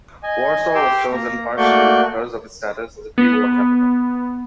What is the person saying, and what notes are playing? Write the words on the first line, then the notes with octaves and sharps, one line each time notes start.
Warsaw was chosen, partially, because of its status as a pre-war capital.
D#5 G#5
G4 C6 D6 E6
A#3 A#5
A3 A#3 F#4 D5 C#6 G6
B3